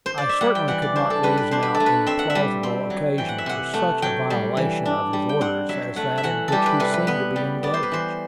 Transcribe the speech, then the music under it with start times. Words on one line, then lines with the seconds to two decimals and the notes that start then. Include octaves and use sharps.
I certainly could not reason out any plausible occasion for such a violation of his orders as that in which he seemed to be engaged.
0.06 C5
0.18 D5
0.29 E5
0.41 G3 F#5
0.55 G5
0.68 E3 F#5
0.82 D5
0.96 D4 C5
1.10 A4
1.23 G3 B4
1.37 B4
1.51 D4 C5
1.63 B4
1.75 A4
1.80 A3
1.86 B4
2.07 C4 E5
2.19 F#5
2.30 E5
2.35 G3
2.63 C4
2.90 F#3
3.18 E3 G5
3.29 F#5
3.38 E5
3.46 C3 F#5
3.73 A3 F#5
4.02 F#3 G5
4.30 G3
4.57 E3
4.85 D4
5.13 G3
5.29 G5
5.41 C4 F#5
5.69 F#3 E5
5.96 A3 F#5
6.18 E5
6.23 E3 F#5
6.48 G3 G4 A4
6.66 B4
6.80 C3 B4
6.94 B4
7.07 B3 B4
7.36 G3
7.63 B3 D5
7.74 C5
7.83 B4
7.92 E3 C5